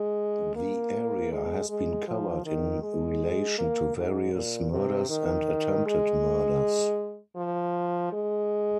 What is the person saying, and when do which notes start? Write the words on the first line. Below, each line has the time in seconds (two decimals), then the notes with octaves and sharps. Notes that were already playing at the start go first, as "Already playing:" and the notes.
The area has been covered in relation to various murders and attempted murders.
Already playing: G#3
0.55 A#3
1.32 G#3
1.69 G#3
2.08 F3
2.45 D#3
2.82 G#3
3.58 A#3
3.97 G#2
4.33 A#2
4.71 C3
5.09 D#3
5.86 G#3
7.36 F3
8.12 G#3